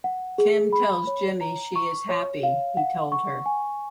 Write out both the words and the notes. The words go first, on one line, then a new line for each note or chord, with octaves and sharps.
Kim tells Jimmy she is happy he told her.
F#5
G#4
B5
C#5
A#5
C#6
C#5
F5
F#5
C#6
G#5